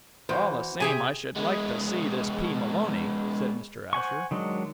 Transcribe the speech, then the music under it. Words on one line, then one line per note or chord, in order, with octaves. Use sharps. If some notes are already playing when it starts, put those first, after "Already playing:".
"All the same, I should like to see this P. Maloney," said Mr. Asher.
E2 E3 F#4 C5
C3 G4 G#4 G#5
G#3 B3
C5 F#5 G#5 C#6
D#3 F#3 G#3 D4